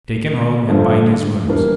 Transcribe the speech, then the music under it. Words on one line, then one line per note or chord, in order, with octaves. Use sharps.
Take him home and bind his wounds.
G2 D3 F3 A3
E3 G3 A#3 D4